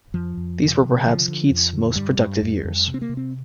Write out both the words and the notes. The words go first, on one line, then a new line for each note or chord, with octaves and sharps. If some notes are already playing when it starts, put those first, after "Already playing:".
These were perhaps Keats's most productive years.
F2 F3
F2
C3
C3
D3 F3
D3
F2
D3
G2 G3
G2
F2
F2
C3
C4
A#3
C3
C4